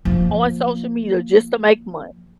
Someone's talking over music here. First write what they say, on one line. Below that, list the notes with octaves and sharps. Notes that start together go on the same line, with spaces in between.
on social media just to make money.
F3 A#3